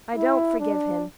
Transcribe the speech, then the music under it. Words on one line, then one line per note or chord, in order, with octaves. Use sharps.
I don't forgive him.
E4
D4